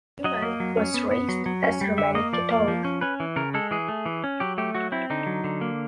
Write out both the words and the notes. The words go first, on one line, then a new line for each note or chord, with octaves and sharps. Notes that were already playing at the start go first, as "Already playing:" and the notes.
Freeman was raised as a Roman Catholic.
F#3 D#5
A#3
F#3
C#4
B3
B3
F#3
F#3
C#4
G3
D3 E5
A#3 D#5
F3 D5
A#3
F3
C#4
C#4 B4
E3
C#3 A#4
G#3 A4
E3 G#4
A3
E3
C#4
F#3 G4
A3 G4
F#3 F#4
C4 E4
D3 D#4
F#3
D3
A#3